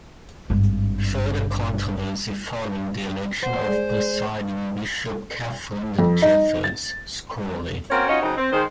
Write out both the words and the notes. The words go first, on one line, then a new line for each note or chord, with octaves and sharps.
Further controversy followed the election of Presiding Bishop Katharine Jefferts Schori.
G#1 G2
C5 F#5
G#3 G#4 D5
F2
D#4
A6
A#3 C4 C#4 F#4 A#4 C#5
C#4 D#4 F4 F#4 C#5 D#5
C#3 F#3 C4 D#4
C4
D#3 G#3 C5